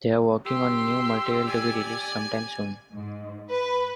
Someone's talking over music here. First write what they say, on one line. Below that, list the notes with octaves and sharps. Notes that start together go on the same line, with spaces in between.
They are working on new material to be released sometime soon.
G4 C6 E6
D5 G#5
G#2
B4